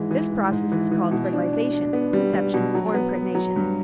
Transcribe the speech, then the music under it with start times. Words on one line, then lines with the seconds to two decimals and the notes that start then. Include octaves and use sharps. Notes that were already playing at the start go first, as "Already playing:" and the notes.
This process is called fertilization, conception or impregnation.
Already playing: G#2 E3 G#3
0.11 E3
0.31 G#2
0.51 G#2
0.72 E3
0.91 E3
1.11 B2
1.33 D4
1.53 D4
1.73 D4
1.93 B3
2.13 G3
2.33 G3
2.54 B2
2.75 F#3
2.94 B3
3.14 B3
3.35 F#3
3.56 G2